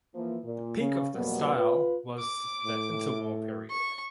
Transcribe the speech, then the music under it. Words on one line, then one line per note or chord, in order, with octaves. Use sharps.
The peak of the style was the interwar period.
E3 F3 A#3
A#2
C#3
F2 B2 F#3 G3 A#3 B3
F4 B4
D6
A2
C#6